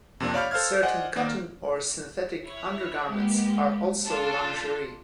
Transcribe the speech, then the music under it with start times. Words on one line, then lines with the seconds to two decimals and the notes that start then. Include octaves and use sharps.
Certain cotton or synthetic undergarments are also lingerie.
0.20 F2 C3 A#3 C4 D4
0.34 C#5 D5 F5 B5 F6 G6
0.51 A4 C5 F5 F6 G#6
0.83 C5 D5 D#5 F#5 G#5
1.16 D#3 A#3 A#4 D5
2.44 E4 C#5
3.10 G#3 A#3 B3 G4
4.06 D4 F4 A4